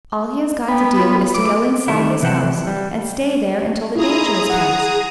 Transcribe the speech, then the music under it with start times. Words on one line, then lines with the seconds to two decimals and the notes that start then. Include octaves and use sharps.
All he has got to do is to go inside his house and stay there until the danger is past!
0.68 B3 G5
0.96 F4
1.34 A3 D6
1.88 D#3 G3 A3 C4 E4
2.22 C3 E3 C5 F#5 G5 A5
2.67 G3
3.96 E4 F4 G#4 A#5 D#6
4.50 F#5